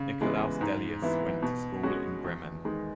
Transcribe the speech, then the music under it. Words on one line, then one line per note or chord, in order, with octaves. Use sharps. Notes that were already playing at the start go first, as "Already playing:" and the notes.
Nikolaus Delius went to school in Bremen.
Already playing: C#3
E3 G#3 B3
G#2
E3 B3 E4
B2
G#3 C#4 F#4
E2
D#3 G#3 D#4